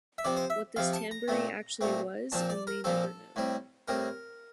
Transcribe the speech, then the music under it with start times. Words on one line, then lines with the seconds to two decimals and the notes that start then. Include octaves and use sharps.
What this tambouri actually was we may never know.
0.18 E5
0.24 C3 F3 C4 D5
0.37 C5
0.50 E5
0.76 C3 F3 C4 F5
0.93 A5
1.11 A#5
1.28 A#2 A3 C4
1.81 A#2 A3 C4
2.32 A#2 F3 C4 A5
2.50 D5
2.67 A#4
2.84 A#2 F3 C4 A4
3.36 A2 G3 C4
3.88 A2 G3 C4 A#4